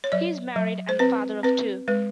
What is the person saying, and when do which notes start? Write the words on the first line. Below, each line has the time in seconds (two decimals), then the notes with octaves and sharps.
He is married and father of two.
0.04 C#5
0.12 F#3 D5
0.56 F#3
0.89 C5
0.99 C4 B4
1.43 C4 B4
1.88 G#3 B4